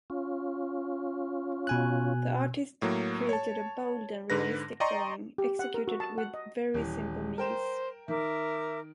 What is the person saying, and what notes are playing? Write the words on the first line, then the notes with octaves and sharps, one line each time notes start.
The artist created a bold and realistic drawing, executed with very simple means.
C#4 F4
B2 G#5 F#6
A2 F#3 A#3
C#5 A5
G#2 D3 B4 A#6
D5 D#5 G5 A#5 C6 C#6
G4
F#5
A#4
F#4
A5
F#5
D#5
D#1 E3
A#4 C5 G5 E7
D#3 A#4 E5 D6